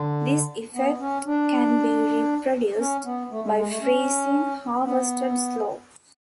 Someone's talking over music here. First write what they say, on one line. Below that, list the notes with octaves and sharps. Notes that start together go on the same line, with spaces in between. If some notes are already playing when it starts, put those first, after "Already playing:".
This effect can be reproduced by freezing harvested sloes.
Already playing: D3
B3
C#4
D4
C#4
B3
A3
G#3
G#3
A3
C#4
B3